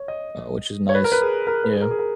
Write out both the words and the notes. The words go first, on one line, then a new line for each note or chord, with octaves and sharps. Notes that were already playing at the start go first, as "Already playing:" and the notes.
uh, which is nice. Yeah,
Already playing: C#5
D#5
C#5
B4
A#4
B4
G#4
A#4
B4
G#4
A#4
G#4
A#4